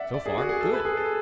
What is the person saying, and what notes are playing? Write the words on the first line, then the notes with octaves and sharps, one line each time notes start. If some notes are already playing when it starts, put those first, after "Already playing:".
So far, good!
Already playing: D5 E5 F#5
D5
G#4
F#4
G#4
A4
B4
G#4
A4